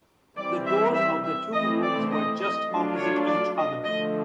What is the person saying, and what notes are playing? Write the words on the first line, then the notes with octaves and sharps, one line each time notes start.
The doors of the two rooms were just opposite each other.
E3 G3 C4 D5
E5
E5
E5
E3 A3 C4 D#5
D5
D#5
D#5
F#3 A3 D4 F4
C#5
D5
D#5
D3 F3 A3 D#5